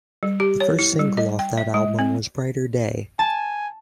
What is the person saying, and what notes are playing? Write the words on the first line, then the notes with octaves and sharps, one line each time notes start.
The first single off that album was "Brighter Day".
G3
G4
C#5
E4
G3
D#5
G5
E5
G#3
C4
G#5 A5